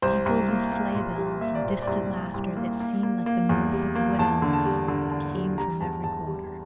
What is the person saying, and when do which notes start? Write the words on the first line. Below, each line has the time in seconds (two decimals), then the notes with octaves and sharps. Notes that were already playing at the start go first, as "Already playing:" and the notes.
Tinkles of sleigh bells and distant laughter, that seemed like the mirth of wood elves, came from every quarter.
0.02 C2 C5
0.26 C2
0.49 A#3
0.72 A#3
0.95 A#2
1.18 G3
1.41 A#3 E5
1.55 D5
1.64 A#2 C5
1.82 C2 D5
2.10 C2
2.34 C2
2.57 A#3
2.80 A#3
3.03 A#3
3.26 A#3
3.49 E2
3.72 G3
3.95 A#3
4.19 E2 A5
4.42 D3
4.53 A5
4.65 G3
4.88 D3
5.11 D3
5.35 G3
5.58 G3 A#5
5.81 E2 A5
6.04 E2 A5
6.27 G3